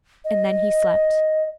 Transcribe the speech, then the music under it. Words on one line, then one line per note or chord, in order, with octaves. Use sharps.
And then he slept.
D#5